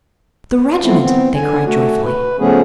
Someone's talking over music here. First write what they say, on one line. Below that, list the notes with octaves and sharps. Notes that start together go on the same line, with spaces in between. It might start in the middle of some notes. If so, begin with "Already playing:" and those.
"The regiment!" they cried joyfully.
E3 A3 B3 C4 E4 F4
B3 C4
D3 G#5
A3 F#4
B4
C#3 F3 A3 B3 C#4 G#4